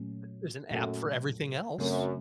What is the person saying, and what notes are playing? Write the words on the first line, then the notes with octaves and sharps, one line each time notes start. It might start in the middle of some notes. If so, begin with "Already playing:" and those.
Th there's an app for everything else.
Already playing: A#2 F#3 A3 C#4
F#2 A#2 F#3 A3 C#4 A4
F#2 C#3 F#3 A3 C4